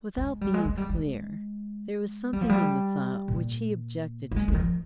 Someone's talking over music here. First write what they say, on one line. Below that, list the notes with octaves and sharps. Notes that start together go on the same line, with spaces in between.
Without being clear, there was something in the thought which he objected to.
G#3
G3
G#3
G#3
G3
G#3
G3
F3
G3
A#2
A#3
G#3
G#3
D#3
F3